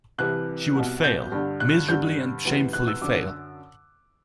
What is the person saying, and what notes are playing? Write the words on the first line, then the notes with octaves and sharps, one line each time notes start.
She would fail, miserably and shamefully fail.
C2 C3 E3 F#6
C2 B2
G6
G2 D3
F#6
G2 D3 G6
D2 C3 E3
F#6
E6
F#2 D3 D6